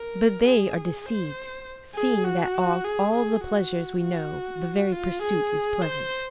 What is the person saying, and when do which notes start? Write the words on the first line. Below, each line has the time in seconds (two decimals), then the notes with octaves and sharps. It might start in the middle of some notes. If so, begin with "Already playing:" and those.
But they are deceived, seeing that of all the pleasures we know, the very pursuit is pleasant.
Already playing: A#4
0.46 G#4
1.06 C5
1.95 G#4
2.25 F#4
2.85 G#4
3.14 G#4
3.44 F#4
4.03 F#4
4.92 F4
5.22 G#4
5.82 C5